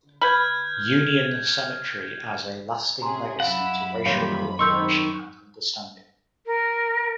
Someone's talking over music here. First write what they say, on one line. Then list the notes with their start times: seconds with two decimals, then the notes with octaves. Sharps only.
Union cemetery as "a lasting legacy to racial cooperation and understanding".
0.21 B4 B5 F6 G6 G#6
3.02 C3 C#4 G#4 A#5 C6
3.40 F#2 E4 F5 F#5 B5
4.06 D#3 E3 G3 A#3 F4 C#5 F5
4.59 D#3 C4 D#4 C6 C#6 E6 G6
6.46 A#4